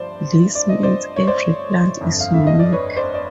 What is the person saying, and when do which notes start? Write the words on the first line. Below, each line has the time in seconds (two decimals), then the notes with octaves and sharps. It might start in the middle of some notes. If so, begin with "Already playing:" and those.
This means every plant is unique.
Already playing: G2 F3 C5 D5
0.55 D5
0.69 D#5
0.83 C5 D5
1.16 C#5
1.27 C5 D5
2.01 G1 F2 D3
2.20 F5
2.34 E5
2.47 D#5
2.59 D5
2.72 B4 C#5
2.97 C5 D5
3.14 D5